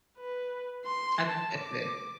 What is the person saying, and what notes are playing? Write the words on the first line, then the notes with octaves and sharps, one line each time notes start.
I think that's good.
B4
C6
A5
D6